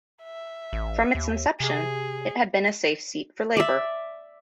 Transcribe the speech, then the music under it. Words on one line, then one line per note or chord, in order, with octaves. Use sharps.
From its inception, it had been a safe seat for Labor.
E5
A1
D#2
C3 G#4
D5 E5